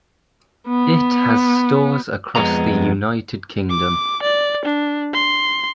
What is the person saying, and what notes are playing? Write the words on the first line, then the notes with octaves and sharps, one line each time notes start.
It has stores across the United Kingdom.
B3
F2 G#3 B3 A#5
D6
D5
D4
C6